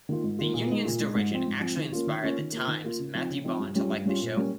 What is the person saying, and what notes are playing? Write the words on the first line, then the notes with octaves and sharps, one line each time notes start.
The unions' derision actually inspired "The Times"'s Matthew Bond to like the show.
D#3 A#3 F4
G#2
D#3 A#3 F4
A#2
G#3 D#4
A#2
G#3 D#4
G#2
F3 C4
G#2
F3 C4
D#3
A#3 C#4 F4
D#3
A#3 C#4 F4
D#3
A#3 F4
D#3
A#3 F4
C#3
F3 C4 D#4
C#3
F3 C4 D#4
G2
G3 C#4 F4
G2
G3 C#4 F4
A#2
G3 A#3 C#4